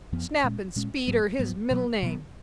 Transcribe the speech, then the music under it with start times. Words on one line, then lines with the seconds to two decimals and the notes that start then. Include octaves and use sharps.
Snap and speed are his middle name!
0.12 F2 F3 B3
0.44 A#2 G#3 C#4
0.76 A#2 G#3 C#4
1.08 G#2 F#3 B3
1.39 G#2 F#3 B3
1.71 B2 F#3 B3
2.02 B2 F#3 B3